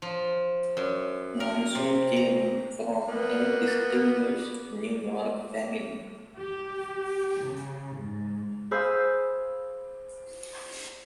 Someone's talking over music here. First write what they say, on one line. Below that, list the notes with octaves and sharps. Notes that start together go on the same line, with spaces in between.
Mason came from a distinguished New York family.
F3
F#2
A#4
C3
A#5
A#3 B3
G4
C#3
G#2
G#4 C5 F5 B5 E6 G6